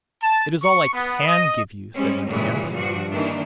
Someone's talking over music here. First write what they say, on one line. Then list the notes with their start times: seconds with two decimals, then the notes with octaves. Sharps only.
'It is all I CAN give you,' said my aunt.
0.23 A5
0.63 C#6
0.93 B3
1.27 D#5
1.94 G3 G#3 C4 C#4
2.27 G2 A#2 C#3 E3 G3 G#3
2.74 G2 F3 F#4
3.11 D#3 E3 A#3 D4